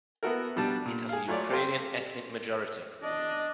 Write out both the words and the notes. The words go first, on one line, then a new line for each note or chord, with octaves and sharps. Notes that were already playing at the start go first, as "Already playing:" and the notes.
It has a Ukrainian ethnic majority.
B3 E4 F#4 A4 A#4
B2 G3 D4 A5
A#2
G#4 F5
F#3 A3 F4 C#5 D5
C4 G4 A4 F5 G5 C6
D4 D#5